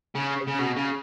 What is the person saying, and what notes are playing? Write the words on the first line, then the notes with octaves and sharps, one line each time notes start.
and you
C#3
C#3
B2
C#3